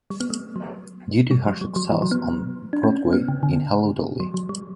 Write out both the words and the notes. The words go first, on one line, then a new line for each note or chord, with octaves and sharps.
Due to her success on Broadway in Hello Dolly!
G3
B3
A3
F#3
G3
F#3
G3
F#3
E3
F#3
B3
D4
C#4
B3
C#3
D3
F#3
F#3
G3